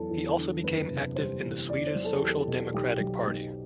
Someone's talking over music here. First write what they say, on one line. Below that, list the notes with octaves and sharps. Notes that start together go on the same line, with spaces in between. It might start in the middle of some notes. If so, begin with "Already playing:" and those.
He also became active in the Swedish Social Democratic Party.
Already playing: E2 F#3 A4
E2
D3
F#1 B4
C3
G3 C5
E2
E2 D5
C5
F#3
A4
G4
E2
A4
B2
B1 G4
F#3
B1